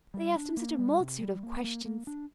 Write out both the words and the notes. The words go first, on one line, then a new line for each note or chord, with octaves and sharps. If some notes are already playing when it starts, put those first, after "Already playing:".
They asked him such a multitude of questions!
G3
D4
A#3
G3
C3
G3
A#3
A#3
A#3
D4